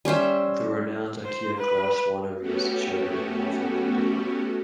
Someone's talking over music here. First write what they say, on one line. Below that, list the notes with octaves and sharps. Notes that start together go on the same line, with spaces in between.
The renowned Achaia Clauss winery is situated in Mavromandila.
G3 C#4 C5 E5
C5
B4
A3 B3 C#4 F#4 G4